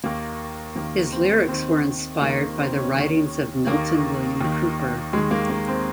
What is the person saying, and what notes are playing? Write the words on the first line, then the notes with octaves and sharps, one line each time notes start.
His lyrics were inspired by the writings of Milton William Cooper.
D#2 D#3 A#3
D#2 D#3 A#3
C4
D#2 D#3 C4
D#2 D#3 A#3
C4
C#4
D#2 D#3
D#2 D#3 A#3
D#2 D#3
D#2 D#3 G#3
A#3
A#3
C4